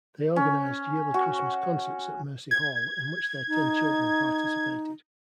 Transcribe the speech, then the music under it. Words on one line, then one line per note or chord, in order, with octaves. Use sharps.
They organized yearly Christmas concerts at Mercy Hall in which their ten children participated.
C#4
F#4
G#6
D#4